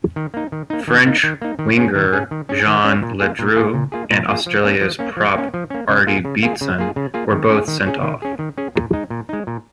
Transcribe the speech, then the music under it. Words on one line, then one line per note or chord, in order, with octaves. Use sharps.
French winger Jean Ledru and Australia's prop Artie Beetson were both sent off.
D#3
A#3 D#4
D#3
A#3 D#4
D#3
A#3 D#4
D#3
A#3 D#4
D#3
C#4 G#4
D#3
C#4 G#4
D#3
C#4 G#4
D#3
C#4 G#4
A#2
A#3 F4 G#4
A#2
A#3 F4 G#4
A#2
A#3 F4 G#4
A#2
A#3 F4 G#4
F3
A#3 C#4
F3
A#3 C#4
F3
A#3 C#4
F3
A#3 C#4
C#3
A#3 F4 G#4
C#3
A#3 F4 G#4
C#3
A#3 F4 G#4
C#3
A#3 F4 G#4
D#3
C#4 G#4
D#3
C#4 G#4
D#3
C#4 G#4
D#3
C#4 G#4
A#2
G#3 D#4
A#2
G#3 D#4
A#2